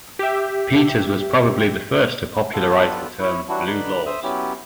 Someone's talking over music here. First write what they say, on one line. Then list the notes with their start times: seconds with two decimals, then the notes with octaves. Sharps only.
Peters was probably the first to popularize the term "blue laws".
0.19 G4 E5
2.53 G3 B3 D4 F4 A4
3.19 E4 C#5
3.49 E3 F#3 G3 D4 E4 F#4
3.66 D3 D#4 B4 D5 B5
4.06 C5 E5 D#6
4.23 F#3 B3 C#4 E4 G4